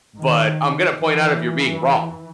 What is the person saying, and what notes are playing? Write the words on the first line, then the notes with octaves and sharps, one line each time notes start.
but I'm gonna point out if you're being wrong,"
D#3
E3